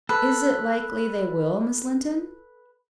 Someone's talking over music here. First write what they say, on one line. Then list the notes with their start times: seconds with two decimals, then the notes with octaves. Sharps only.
"Is it likely they will, Miss Linton?"
0.09 A4 B4